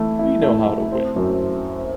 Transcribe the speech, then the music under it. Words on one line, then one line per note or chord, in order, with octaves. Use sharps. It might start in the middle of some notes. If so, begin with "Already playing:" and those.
We know how to win.
Already playing: E3 A3 E4
E4
A3
A3
C4
F#2